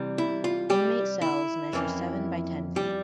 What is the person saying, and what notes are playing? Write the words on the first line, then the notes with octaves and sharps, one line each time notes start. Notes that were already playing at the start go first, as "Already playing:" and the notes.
Inmate cells measure seven by ten feet.
Already playing: C3 E3 G3
E4
F4
G3 G4
E4
F2 E3 A#3 C#4
G3 G4